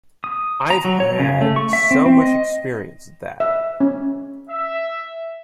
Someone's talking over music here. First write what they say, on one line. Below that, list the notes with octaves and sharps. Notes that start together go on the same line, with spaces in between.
I’ve had so much experience at that.
D#6
A#5
F#3
C#5
C#3
A3
C#6
E5
C4
C4
D#5
E5
C#4
E5